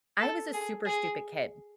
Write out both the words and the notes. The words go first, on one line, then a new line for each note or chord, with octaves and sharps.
I was a super stupid kid,
A4
G#4
G#4